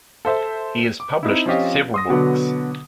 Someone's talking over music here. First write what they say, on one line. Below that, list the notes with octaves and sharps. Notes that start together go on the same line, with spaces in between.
He has published several books.
A4 C5 E5
D6
C4 D#4 E4
F3 C4 C#4 F4 G4 D#5
C6 D#6 A#6
B2 D3 F#3 B3